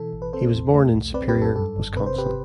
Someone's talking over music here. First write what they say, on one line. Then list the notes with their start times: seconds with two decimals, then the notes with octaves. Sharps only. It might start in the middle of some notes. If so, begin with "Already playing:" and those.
He was born in Superior, Wisconsin.
Already playing: B2 E3 A4
0.13 A1
0.22 B4
0.33 C4 A4 C5
0.53 E2
0.74 A3
0.94 B1
1.14 C4 B4 D5
1.28 G4 B4
1.35 F#2
1.42 A4
1.56 G2 A4
1.76 G1
1.96 C3 B4
2.06 C5
2.16 C3 G4 B4